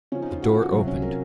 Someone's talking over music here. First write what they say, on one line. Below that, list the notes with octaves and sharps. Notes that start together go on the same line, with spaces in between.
The door opened.
C#3 F3 C#4
D#4
F4
F#4
F4
F#4
C3 F#3 F4
C#4
A#4